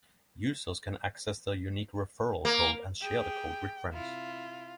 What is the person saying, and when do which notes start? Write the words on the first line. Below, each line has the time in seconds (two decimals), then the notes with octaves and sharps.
Users can access their unique referral code and share the code with friends.
2.45 A#3
3.02 G4 G#4 G5
3.93 C3 E4 F4